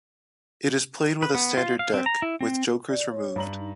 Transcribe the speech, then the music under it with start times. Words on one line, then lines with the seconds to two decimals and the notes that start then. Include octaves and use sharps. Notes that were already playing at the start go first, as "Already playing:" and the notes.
It is played with a standard deck, with jokers removed.
1.22 B4
1.35 B3
1.57 F4
1.79 F5
1.94 C4
2.06 A#5
2.22 E4
2.41 C4
2.89 D5
3.11 C#5
3.36 G2 A#5 F#7
3.58 D#4